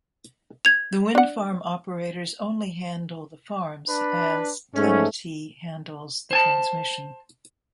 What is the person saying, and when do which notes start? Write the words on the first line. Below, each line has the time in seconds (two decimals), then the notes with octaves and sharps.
The wind farm operators only handle the farms, as TenneT handles the transmission.
0.65 G#6 F7
1.15 D4 F#5
3.88 D4 B4
4.75 G#2 A3 C#4
6.31 C5 G#5 A5